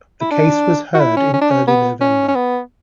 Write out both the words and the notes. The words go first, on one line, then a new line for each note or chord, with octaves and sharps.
The case was heard in early November.
E4
D4
F#4
E4
C#4
C#4
D4
C#4
B3
C#4
C#4
B3